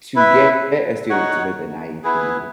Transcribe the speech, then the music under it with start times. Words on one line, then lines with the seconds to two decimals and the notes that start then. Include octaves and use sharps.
To get a student with an IEP,
0.16 E4 B4 E5
1.10 D#4 F#4 C#5 F#5
2.04 B3 E4 G#4 B4